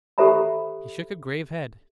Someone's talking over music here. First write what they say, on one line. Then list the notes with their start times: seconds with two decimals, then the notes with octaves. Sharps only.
He shook a grave head.
0.18 G4 A4 C5 E5 A#5 B5